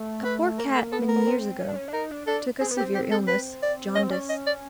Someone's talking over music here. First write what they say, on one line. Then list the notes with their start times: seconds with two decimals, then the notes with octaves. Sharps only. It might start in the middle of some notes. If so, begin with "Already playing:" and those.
A poor cat, many years ago, took a severe illness--jaundice.
Already playing: A3
0.25 B4
0.58 A#3 A#4
0.69 A3
0.75 A4
0.79 A#3
0.92 B3 A4
1.09 A#4
1.16 B3
1.27 C4
1.60 C#4
1.68 D4
1.75 C#4
1.88 D4
1.93 D#4 A#4
2.11 D4
2.27 D4 A4
2.61 C4 G#4
2.71 B3
2.77 C4 G4
2.95 G4
3.11 A4
3.28 B4
3.63 D5
3.95 C#4 D#5
4.02 C4
4.10 C#4 D5
4.30 D#5
4.47 D5